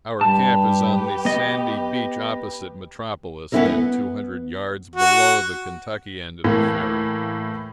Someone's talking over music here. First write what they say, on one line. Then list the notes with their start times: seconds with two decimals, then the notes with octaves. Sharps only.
Our camp is on the sandy beach opposite Metropolis, and two hundred yards below the Kentucky end of the ferry.
0.21 G2 G4 B4 A5
1.25 B3 D#5
3.52 B3 C#4 D4 E4 A4 A#4
3.65 B3
4.95 F#4
6.44 A2 E3 A#3